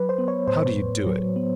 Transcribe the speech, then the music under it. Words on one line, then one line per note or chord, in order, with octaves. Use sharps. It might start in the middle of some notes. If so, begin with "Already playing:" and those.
How do you do it?
Already playing: F#3 B4
C5
B3
C#5
A2 C5
A2
F#3
B3